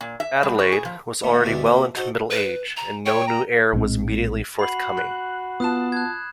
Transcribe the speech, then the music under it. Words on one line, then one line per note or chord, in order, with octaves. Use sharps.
Adelaide was already well into middle age and no new heir was immediately forthcoming.
A#2
E5
G3
F#4
G#4
F3
D#3 A3 A#3 C#4
D2 G2 B2 B3 E4 D5
F#2 A#3 C5
D#4 F#4 A4 C5
B4
A#5
C#5 G5
A#5
A#1 A2 G#3 C4
F#4 B5 C7 F#7
F#6
B3 F4 A5 D#6 F#6 E7
F#6 G#6